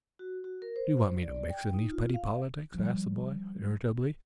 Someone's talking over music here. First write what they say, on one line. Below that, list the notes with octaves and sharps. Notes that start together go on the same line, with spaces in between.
"Do you want me to mix in these petty politics?" asked the boy, irritably.
F#4
F#4
A#4
C5
D5
G5
D#4
F4
F5
F3 G3